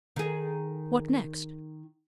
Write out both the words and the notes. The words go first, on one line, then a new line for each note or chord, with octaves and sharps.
What next?
D#3 G#4